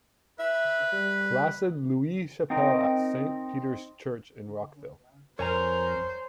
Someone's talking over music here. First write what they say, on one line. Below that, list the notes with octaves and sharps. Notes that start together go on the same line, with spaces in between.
Placide Louis Chapelle at Saint Peter's Church in Rockville.
B4 E5
G3
C4 D#4 A#4 G5
F2 A#4 C5 C#5 G#5 A#5